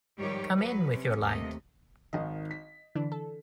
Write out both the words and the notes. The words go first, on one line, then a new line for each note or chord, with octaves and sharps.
Come in with your light.
G#2 D#3 F3 G3 G4 C#5
F#3 F#4 B4
C3 C#4
D#2 C3 A3 D#5
G#1 D#3 D#5
B6
D3 E3 D4
A4